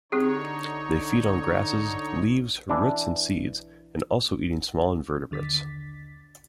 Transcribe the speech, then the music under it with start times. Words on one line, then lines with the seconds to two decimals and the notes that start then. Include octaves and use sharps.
They feed on grasses, leaves, roots and seeds, also eating small invertebrates.
0.12 D3 C4 D#4 G4 G#4 C#5
2.69 E3 D4
5.31 D#2 D3 A6 B6